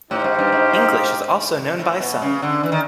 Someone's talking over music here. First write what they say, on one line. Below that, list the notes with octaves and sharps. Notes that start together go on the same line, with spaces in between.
English is also known by some.
A2 D#4 G4 C5 F5
G#2
G2
G#2
A2
B2
C#3
D3
E3
D#3